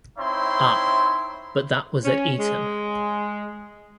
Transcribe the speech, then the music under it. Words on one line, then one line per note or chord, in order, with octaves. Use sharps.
Ah, but that was at Eton.
C4 D#4 E4 C#5 E5 C6
C#4
G#3